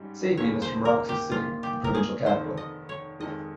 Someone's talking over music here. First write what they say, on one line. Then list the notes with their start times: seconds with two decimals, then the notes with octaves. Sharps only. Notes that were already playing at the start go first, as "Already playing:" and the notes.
Sapian is from Roxas City, the provincial capital.
Already playing: G#2 G3 C#4 G4
0.37 D#2 C#3 F3 A#3 C#5
0.62 C5
0.85 A#4
1.09 G4
1.31 A#1 A#2 F3 A#3 D#4 F4
1.63 G4
1.84 A#4
1.95 G#4
2.26 F1 F2 D#3 C5
2.57 D#5
2.89 C#5
3.20 F2 D#3 G#3 D#5